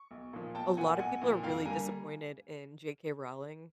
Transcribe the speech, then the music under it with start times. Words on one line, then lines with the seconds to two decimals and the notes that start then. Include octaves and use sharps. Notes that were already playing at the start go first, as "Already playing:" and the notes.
a lotta people are really disappointed in J.K. Rowling,
Already playing: C#6
0.11 B1
0.33 A#2 F3
0.55 B1 G5 A5
0.77 A#2 F3 F#5 G#5
0.99 B1 F#5 G#5
1.22 A#2 F3
1.43 F2 F5 G5
1.65 D3 G3 A#3 G#5 A#5